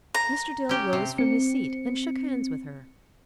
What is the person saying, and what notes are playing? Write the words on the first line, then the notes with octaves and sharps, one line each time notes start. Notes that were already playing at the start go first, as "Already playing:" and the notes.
Mr. Dill rose from his seat and shook hands with her.
A#5
C#4 G4
C3
C4 C#7